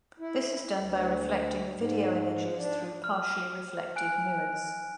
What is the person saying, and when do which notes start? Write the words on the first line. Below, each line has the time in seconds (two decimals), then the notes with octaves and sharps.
This is done by reflecting the video images through partially reflective mirrors.
0.20 E4
0.78 D2
1.75 G#2
2.56 D4
3.04 F6
3.96 G#5 F#6 D7